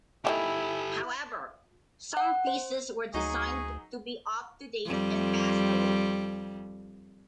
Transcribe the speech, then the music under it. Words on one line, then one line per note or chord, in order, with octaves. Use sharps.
However, some pieces were designed to be up to date and fashionable.
D#3 F3 A3 E4 G4 A4 G#5 B5
F#5
C5
D2 F#3 D#4 G#4 C#6
F2 G3